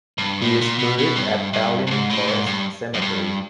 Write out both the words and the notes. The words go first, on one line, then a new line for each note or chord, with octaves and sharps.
He is buried at Tallinn Forest Cemetery.
G2
A2
A#2
B2
B2
G2
G2
G2
G#2
A2
G#2
G2
F#2
G2